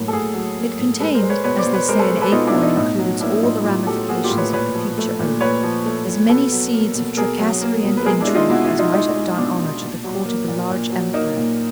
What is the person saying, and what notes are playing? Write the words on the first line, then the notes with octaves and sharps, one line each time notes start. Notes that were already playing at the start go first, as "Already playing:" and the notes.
It contained, as they say an acorn includes all the ramifications of the future oak, as many seeds of tracasserie and intrigue as might have done honour to the court of a large empire.
Already playing: A2 F#3 A#3
A4
A2 F#4 G#4
F#3
A#3
A2
G#3 A4 B4
A#4 C5
G#3
B4 C#5
B2 B4 C#5
C5 D5
B2
B4 C#5
G#3 A#4 C5
A4 B4
G#3
A4 B4
B2 D#4 F4
D4 E4
B2
D#4
A2 D#4
F#3
A#3 D4 E4
A2 D#4 F4
A2 F4 G4
F#3 G4 A4
A#3 F#4 G#4
F4 G4
A2
B4 C#5
A#2 B4 C#5
F3
A3
A#2
A#2 B4 C#5
F3
A3
A#2
B2 A4 B4
F#3
A#3
B2
B2 G#4 A#4
F#3
A#3
B2
B4
G#3 G#4 A#4
D4 E4
G#3
D#4 F4
B2 E4 F#4
E4 F#4
B2
D#4 F4
G#3 D#4 F4
D#4
G#3
B2 D4
B2
A#2
F#3
A#3
A#2
A#2
F#3
A#3 D#4
A#2